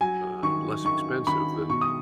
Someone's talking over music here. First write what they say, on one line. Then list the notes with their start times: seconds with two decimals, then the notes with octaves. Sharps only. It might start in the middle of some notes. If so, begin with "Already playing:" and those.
uh, less expensive than
0.01 F#3 G#5
0.43 D#3 C#6
0.84 D#3 C#6
1.27 D#3 B5
1.70 B2 C#6
1.81 D#6